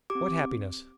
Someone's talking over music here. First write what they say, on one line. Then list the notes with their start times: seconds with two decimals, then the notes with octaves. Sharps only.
What happiness!
0.10 G4 D6
0.15 C4